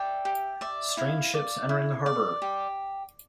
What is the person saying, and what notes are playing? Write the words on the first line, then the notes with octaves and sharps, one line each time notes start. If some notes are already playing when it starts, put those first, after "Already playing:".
Strange ships entering the harbor!
Already playing: D5 E5 G5
G4
D5 E5
E4 F5
D5
E4
D5
G4